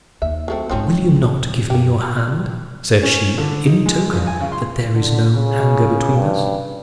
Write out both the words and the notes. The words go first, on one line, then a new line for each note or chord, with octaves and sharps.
"Will you not give me your hand," said she, "in token that there is no anger between us?"
D#2 E5
F#3 A3 C4
G#1 G#2 F3 C4 C#4
D#2
F#2 A#3 G4
C#4
D3
D#4
G#3
A#1
G#5
C#3
C6
D3
C#3
G2